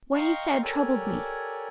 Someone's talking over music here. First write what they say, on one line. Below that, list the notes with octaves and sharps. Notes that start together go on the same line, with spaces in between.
What he said troubled me.
D#5 F5 G5 A#5 C6 C#6
G4 A4 A#4 C#5 D5 G#5